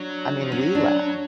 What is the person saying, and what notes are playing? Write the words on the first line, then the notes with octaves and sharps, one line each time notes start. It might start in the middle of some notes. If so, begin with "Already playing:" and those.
I mean, we laugh,
Already playing: F#3 D4
F3
F#3 C#4
D4